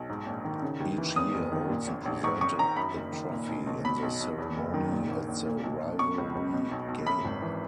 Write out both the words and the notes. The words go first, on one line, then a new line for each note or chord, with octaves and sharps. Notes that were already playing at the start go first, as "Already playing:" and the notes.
Each year, Olsen presented the "trophy" in the ceremony at the rivalry game.
Already playing: B1
G#2
A#1
D#3
C#3
D#2
E3
E2 D#6
F#1
D#3
A#2
A#1
A#1
G#2 C#6
G#1 C#6
D#3 A#5
F#2 B5
F#1
D#3
A#2
B1
B1
B2 B5
B1
B1
E2
F#1
D#3
A#2
A#1
A#1
A#2
B1
B1
B2 C#6
C#2
C#2
B2
B1
B1
F#2 B5
G#1
E3